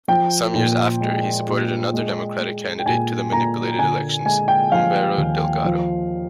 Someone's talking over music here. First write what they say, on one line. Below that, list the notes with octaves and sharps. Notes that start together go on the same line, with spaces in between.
Some years after he supported another democratic candidate to the manipulated elections, Humberto Delgado.
F3 G5
A#2
G#3
A#2
G#3
G#3
G5
A#2 G#5
A#2 A#5
D3 G#5
G#3 G#5
G5
F3 F5
D#2
F3